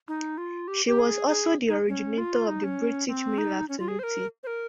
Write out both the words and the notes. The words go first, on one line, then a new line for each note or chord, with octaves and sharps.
She was also the originator of the British meal afternoon tea.
D#4
F4
G4
G4
G#4
G#4
D#4
C#4
F4
D#4
C#4
C4
D#4
C#4
F4
G#4
C5
A#4
C5
A#4